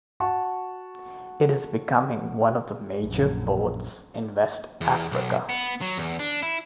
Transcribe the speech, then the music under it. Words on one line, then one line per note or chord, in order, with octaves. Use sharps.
It is becoming one of the major ports in West Africa.
F#4 F#5 A5 C#6
A#1 F#2
E2
B1
B3
F#3
E2
D4
E4